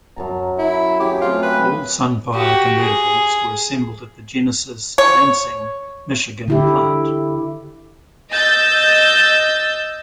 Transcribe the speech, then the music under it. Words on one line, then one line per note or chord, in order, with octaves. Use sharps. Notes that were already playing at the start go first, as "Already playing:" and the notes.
All Sunfire convertibles were assembled at the "Genesis" Lansing, Michigan Plant.
F#2 A5 A#5
E4
C#4 G4 G#4
A3 C4 F4 G#4
B4
F#4 G4
G#4
C#5
D3 E4 G4
D#5 E6 G6 A6